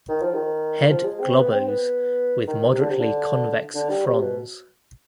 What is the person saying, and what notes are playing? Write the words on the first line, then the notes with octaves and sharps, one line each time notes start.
Head globose with moderately convex frons.
D#3
F3
D#3
F3
G#3
C4
B3
C4
B3
D#3
C3
D3
C3
D3
D3
G3
C3
B2